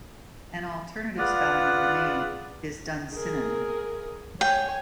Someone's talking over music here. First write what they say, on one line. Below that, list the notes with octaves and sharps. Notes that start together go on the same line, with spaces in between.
An alternative spelling of the name is Dunsinnan.
F4 G#4 B4 D5 F5 F#5
G#4 A#4
C#5 G5 G#5